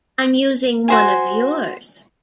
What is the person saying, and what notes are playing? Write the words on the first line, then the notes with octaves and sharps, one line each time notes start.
I'm using one of yours.
F#4 C5 G#5